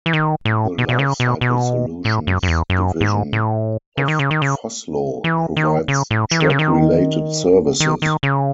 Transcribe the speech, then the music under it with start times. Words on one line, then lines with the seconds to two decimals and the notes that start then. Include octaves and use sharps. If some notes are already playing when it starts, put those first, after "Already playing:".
The Lifecycle Solutions division of Vossloh provides track related services.
0.06 E3
0.13 D#3
0.45 A2
0.78 B2
0.89 B2
0.99 C#3
1.20 B2
1.41 B2
2.05 A2
2.27 F#2
2.43 F#2
2.48 E2
2.70 F#2
3.01 G#2
3.33 A2
3.97 C#3
4.08 D#3
4.19 C#3
4.31 D#3
4.42 C#3
5.24 E3
5.57 D#3
5.88 C#3
6.11 A2
6.31 E3
6.40 D#3
6.50 C#3
6.59 D#3
7.80 D#3
8.02 D#3
8.23 C#3